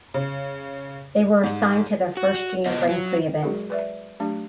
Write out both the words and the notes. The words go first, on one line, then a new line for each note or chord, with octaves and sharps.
They were assigned to their first Junior Grand Prix events.
C#3
G#2
F#4
B2 B3 F4 C5 D#5
F#3
F#3 G#3 F#4 G#4 A#4
B4 D5 E5
F#3 A3 D4 G4